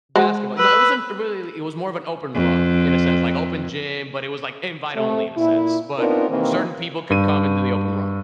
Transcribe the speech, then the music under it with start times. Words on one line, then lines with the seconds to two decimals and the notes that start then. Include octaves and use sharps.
Basketball no, it wasn't it really it was more of an open run, in a sense, like open gym, but it was, like, invite only in a sense, but certain people could come into the open run.
0.16 G#3 F#4 C5
0.58 B4 E6
2.34 F2
4.95 C3 A3
5.37 A#2 E4
5.97 B3 C4 D4 D#4 F4 A#4
6.29 C3 D#3 E3 A#3 C4
7.10 G2 D#7